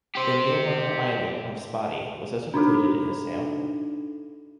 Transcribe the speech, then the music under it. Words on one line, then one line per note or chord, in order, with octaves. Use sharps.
The nearby islet of Sparti was also included in the sale.
G4 C5
D4 D#4 F#4 A4